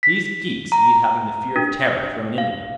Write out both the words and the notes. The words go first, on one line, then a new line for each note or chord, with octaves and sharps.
"These geeks need having the fear of Terra thrown into them."
B6
A#5
D4
F5